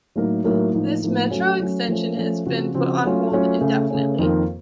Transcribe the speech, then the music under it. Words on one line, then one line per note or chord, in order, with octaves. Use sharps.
This Metro extension has been put on hold indefinitely.
A2 F#3 A#3 D#4 A#4
A2 F#3 A#3 D#4 A#4
A2 F3 A#3 D#4
A2 F3 A#3 D#4
F#3 A3 C#4 F#4
F#3 A3 C#4 F#4
F3 A3 C#4
F3 A3 C#4
C#3 F3 C4 F#4
C#3 F3 C4 F#4
F#3 A3 C#4 F4
F#3 A3 C#4 F4
C#3 A3 C#4
C#3 A3 C#4
F2 D#3 A#3 F4 A#4